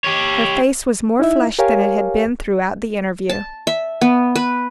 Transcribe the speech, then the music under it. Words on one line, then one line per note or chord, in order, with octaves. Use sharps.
Her face was more flushed than it had been throughout the interview.
G4 C#5
D#4 E4 E5
G4 A#4 C#5 F5 G#5
A5
E5
B3
B4